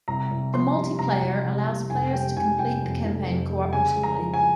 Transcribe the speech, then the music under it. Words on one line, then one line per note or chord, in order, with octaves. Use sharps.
The multiplayer allows players to complete the campaign cooperatively.
C2 A#5
C2
F3 C6
C3
C2 A#5
C2
C3
C2
F1 G#5
G3 G5
F1 G#5
F1 G5
F2
F1
F2
G3
C#3 G#5
G#3
A#5
F3
G#5